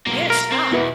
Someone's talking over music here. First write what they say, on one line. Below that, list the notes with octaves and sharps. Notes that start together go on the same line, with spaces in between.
Yeah, shocked,
B1 G#3 A#3
A#4
C4
E2 B2 E4 B4